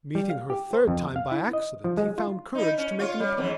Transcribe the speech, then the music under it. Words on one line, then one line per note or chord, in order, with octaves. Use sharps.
Meeting her a third time by accident he found courage to make an appointment.
G3
F5
G4
C5
F2
F5
E4
D#5
F3
G#3
F4
D#4 E4
C#4
F4 C#5
G3
F2 G#2 E3